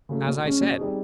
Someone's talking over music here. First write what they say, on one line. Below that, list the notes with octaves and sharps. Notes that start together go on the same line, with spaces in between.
"As I said."
C#3 F#3 A3
B2
G#3 C#4
B2
G3 C4 D#4 G#4